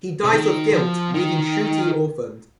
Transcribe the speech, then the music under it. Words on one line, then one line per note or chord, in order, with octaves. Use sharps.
He dies of guilt leaving Shruti orphaned.
C3
D#3
F3
D#3